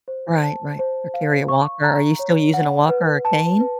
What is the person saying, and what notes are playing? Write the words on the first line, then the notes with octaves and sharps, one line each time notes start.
Right, right, or carry a walker. Are you still using a walker or a cane?
C5
A5
C5
F5
C#6
A#5
C#5
F#5
B4
A5
B4